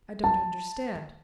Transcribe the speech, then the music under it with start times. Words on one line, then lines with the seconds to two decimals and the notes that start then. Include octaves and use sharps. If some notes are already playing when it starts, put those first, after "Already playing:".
"I don't understand."
0.24 A5